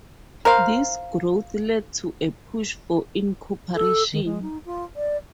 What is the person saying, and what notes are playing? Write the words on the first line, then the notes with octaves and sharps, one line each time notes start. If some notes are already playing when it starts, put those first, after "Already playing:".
This growth led to a push for incorporation.
A#4 C5 F5
A4
D#3
G#3
D#4
F4
D5